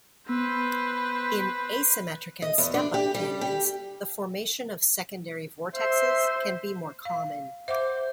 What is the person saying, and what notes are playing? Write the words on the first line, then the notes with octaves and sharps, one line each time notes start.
In asymmetric and step-up canyons the formation of secondary vortexes can be more common.
B3 B4 C5 E6
D#5
E2
D4
G4
G3
G4
C5 E5
F5
C5 E5 F#5 D6